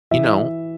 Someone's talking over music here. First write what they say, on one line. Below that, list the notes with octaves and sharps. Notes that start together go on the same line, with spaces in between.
you know,
E3 E5